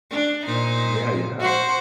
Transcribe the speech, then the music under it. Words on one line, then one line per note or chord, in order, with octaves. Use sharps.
Yeah, yeah.
D4
A#2 D#4 C5
F#4 C5